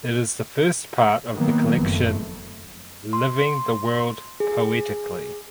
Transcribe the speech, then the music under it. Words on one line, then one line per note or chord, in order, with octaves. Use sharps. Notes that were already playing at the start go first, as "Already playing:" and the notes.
It is the first part of the collection "Living the world poetically".
D#3 F#3 A#3 B3
F#1 F2 A3
C6
G#4